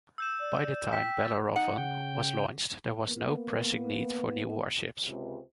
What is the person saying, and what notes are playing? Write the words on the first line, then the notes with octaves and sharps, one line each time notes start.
By the time "Bellerophon" was launched, there was no pressing need for new warships.
E6 G6 E7
D5
G5 B6 E7
A6
D#4 F#5
C#3 G5
A#3 B3
C#2 C3